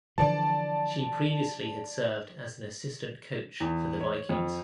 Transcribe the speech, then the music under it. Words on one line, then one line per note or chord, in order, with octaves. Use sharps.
She previously had served as an assistant coach for the Vikings.
D3 E3 F3 D5 A5
E2
C#5
F2